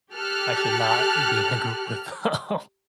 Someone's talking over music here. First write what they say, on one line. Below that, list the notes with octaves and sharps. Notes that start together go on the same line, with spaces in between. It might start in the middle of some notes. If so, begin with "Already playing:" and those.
I should not be in a group with them.
G4 A4 F6 F#6